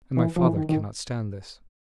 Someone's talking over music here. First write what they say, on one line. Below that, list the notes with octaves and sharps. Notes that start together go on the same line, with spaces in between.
And my father cannot stand this.
E3
F3
E3
D#3
D#3